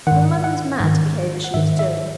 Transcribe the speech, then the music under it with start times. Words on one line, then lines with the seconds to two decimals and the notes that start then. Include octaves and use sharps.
Your mother is mad to behave as she is doing.
0.07 G#2 D#3 F#5
0.44 F#5
0.80 G#2 D#3
1.44 F#5
1.54 G#2 D#3 E5
1.79 E5